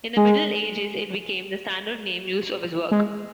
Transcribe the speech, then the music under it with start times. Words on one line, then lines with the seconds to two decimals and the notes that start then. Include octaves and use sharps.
In the Middle Ages it became the standard name used of his work.
0.17 G#3
2.91 G#3